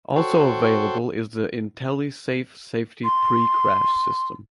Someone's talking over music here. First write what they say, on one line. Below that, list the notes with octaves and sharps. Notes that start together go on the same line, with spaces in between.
Also available is the IntelliSafe safety precrash system.
F#4 A4 C5 C#5 G5
C6